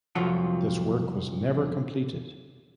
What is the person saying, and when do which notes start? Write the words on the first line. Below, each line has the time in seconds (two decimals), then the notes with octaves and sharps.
This work was never completed.
0.15 C2 F2 F3 F#3 F4 F#5